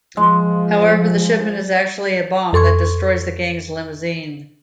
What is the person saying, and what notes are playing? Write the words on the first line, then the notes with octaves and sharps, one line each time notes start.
However, the shipment is actually a bomb that destroys the gang's limousine.
F3 G#3
F2 A4 C6 C#6 G#6